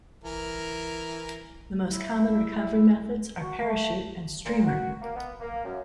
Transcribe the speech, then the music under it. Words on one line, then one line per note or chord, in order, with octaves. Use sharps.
The most common recovery methods are parachute and streamer.
E3 A#4
E4
F#4
A3
A#2
F#4
A#3
B3
A#3
F#2